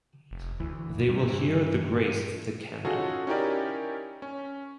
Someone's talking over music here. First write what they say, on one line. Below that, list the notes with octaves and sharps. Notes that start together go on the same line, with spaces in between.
They will hear the grace of the cannon.
F1
D2 E3
G2 G3
E3
C#4 D#4 F4 F#4 G#4 A4
C#4 D#4 E4 G4 A#4 D5
C#4